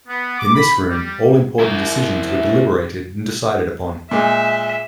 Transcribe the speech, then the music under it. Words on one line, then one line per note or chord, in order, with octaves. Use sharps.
In this room, all important decisions were deliberated and decided upon.
B3
D6
B5
G3
E4 A#4
A#2 G#3 E5